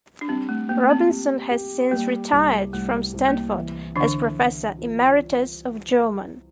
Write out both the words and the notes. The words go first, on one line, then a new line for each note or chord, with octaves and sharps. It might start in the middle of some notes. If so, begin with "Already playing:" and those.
Robinson has since retired from Stanford as Professor Emeritus of German.
D4
G3 C4
A3
A#3 G4
C4
G4
G4
G3 A#3
C2
C2 A3
C2
A#3
E3
D3 E3 D4
E3
F4